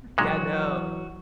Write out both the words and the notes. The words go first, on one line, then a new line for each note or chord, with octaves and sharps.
Yeah, no.
A#2 E3 F#3 G#3 F#4